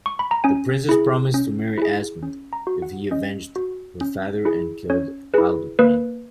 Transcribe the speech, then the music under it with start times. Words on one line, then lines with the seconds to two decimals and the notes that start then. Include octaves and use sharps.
The princess promised to marry Asmund, if he avenged her father and killed Hildebrand.
0.06 C#6
0.19 B5
0.31 A#5
0.44 C#4 G#5
0.89 E4 G#4
1.34 C#4
1.78 E4 G#4
2.23 C#4
2.53 A#5
2.67 F#4
2.82 F#5
3.11 C#4 D#5
3.56 F#4
4.01 C#4
4.45 E4 G#4
4.90 C#4 C#5
5.34 E4 G#4 B4
5.79 A#3 B4